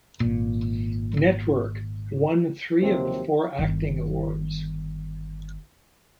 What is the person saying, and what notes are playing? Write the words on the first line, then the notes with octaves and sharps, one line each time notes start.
"Network" won three of the four acting awards.
G#1 A#2
D#2 C3 F3 F#3 C4
G1 D#3